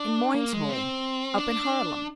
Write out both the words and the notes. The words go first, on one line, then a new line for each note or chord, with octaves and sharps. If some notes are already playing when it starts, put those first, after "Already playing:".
"In Moyne's home--up in Harlem."
Already playing: D4
A#3
G#3
C4
D4